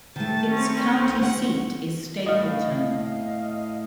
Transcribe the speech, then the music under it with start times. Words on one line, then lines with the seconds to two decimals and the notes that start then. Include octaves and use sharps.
Its county seat is Stapleton.
0.16 D#3 A3 A5
0.50 C4 C#4
1.22 F#5
2.26 A2 D#5 F5